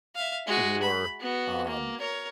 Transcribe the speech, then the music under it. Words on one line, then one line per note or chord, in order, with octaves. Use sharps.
or, um,
E5 F5
G#3 F#4
B5
B3 F#4
A#3
A#4 C#5